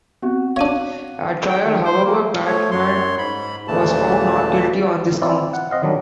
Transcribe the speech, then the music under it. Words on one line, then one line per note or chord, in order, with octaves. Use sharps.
At trial, however, Bachman was found not guilty on these counts.
B3 C4 F#4
D4 C#5 F5 D#7
G5
D#3
C5
A#3
F3 A3 C#5
F#2 C#5 C6
G#2 B5
D#2 A#2 C#3 E3 A3 A5
C4 E4 F4 D5
F#5
C4 D#5 F5 F#5
D#3 F#3 G3 D4